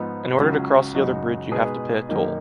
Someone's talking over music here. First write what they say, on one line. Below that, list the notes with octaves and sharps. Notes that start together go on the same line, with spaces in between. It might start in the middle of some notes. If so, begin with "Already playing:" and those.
In order to cross the other bridge you have to pay a toll.
Already playing: G#2 F3 B3 D#4
C#2 C#3 F#3 C#4
F#2 C#3 G#3 D#4 F#4
B2 G#3 D#4 G#4 B4
F#2 D#3 A#3 D#4